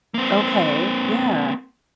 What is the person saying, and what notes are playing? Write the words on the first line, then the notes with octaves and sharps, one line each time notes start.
Okay, yeah.
A#3 C4